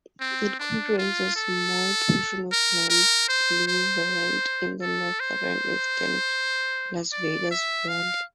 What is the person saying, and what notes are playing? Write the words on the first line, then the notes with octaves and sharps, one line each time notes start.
It comprises a small portion of Lamb Boulevard in the northeastern Las Vegas Valley.
C4
D4
F4
A4
A#4
A#4
C5
C5
A4
C5
D5
E5
F5